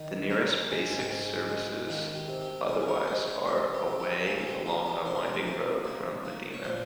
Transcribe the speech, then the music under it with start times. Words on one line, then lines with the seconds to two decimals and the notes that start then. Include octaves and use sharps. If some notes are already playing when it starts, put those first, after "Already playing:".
The nearest basic services, otherwise, are away along a winding road from Maydena.
Already playing: D#3
0.30 G#3 A#5
0.50 A#5
0.70 G#2 G#5
0.91 G#5
1.00 G5
1.10 G#2 G#5
1.50 G#3
1.88 D#3 F5
2.15 G4
2.28 C3
2.41 G4
2.69 C3 G#4
2.82 G#4
2.88 A#4
3.07 G#3 C5
3.28 C#5
3.47 C3 C5
3.74 G4
3.88 C3
4.00 G4
4.26 A#3 G#4
4.38 F4
4.47 G4
4.66 A#3 F4
4.86 G4
5.06 C3 C5
5.15 A#4
5.24 G#4
5.34 A#4
5.46 C3
5.85 A#3
6.25 A#3
6.54 C#5
6.64 A#2 C5